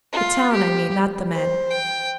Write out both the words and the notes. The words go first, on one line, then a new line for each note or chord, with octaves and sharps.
The town, I mean; not the men.
F4
G4
C5
G5